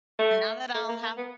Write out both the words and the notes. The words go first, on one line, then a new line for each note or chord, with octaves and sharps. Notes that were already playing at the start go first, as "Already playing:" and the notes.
now that I'll have
A3
A3
A#3
A#3
B3